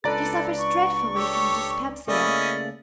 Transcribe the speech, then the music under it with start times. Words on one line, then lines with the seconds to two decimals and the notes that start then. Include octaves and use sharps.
She suffers dreadfully from dyspepsia.
0.04 C#2 D4 A4 B4 D5 A#5 A6
0.59 C#6
1.15 G4 A4 C#5
2.08 C#3 A3 A#3 C#4 E4 D5 D#5